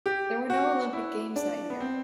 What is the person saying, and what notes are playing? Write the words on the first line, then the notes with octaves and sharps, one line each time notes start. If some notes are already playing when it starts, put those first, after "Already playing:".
There were no Olympic Games that year.
G4
F#4
E4
D4
B3
C4